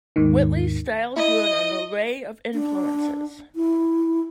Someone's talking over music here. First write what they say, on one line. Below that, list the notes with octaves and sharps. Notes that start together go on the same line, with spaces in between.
Whitley's style drew on an array of influences.
D#2 G#2 D#3
E4 D#5
D4
E4